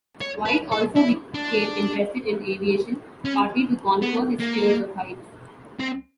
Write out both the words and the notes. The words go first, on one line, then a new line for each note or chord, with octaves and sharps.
White also became interested in aviation, partly to conquer his fear of heights.
C#5
B4
A4
E4
D4
C#4
B3
A#3
C4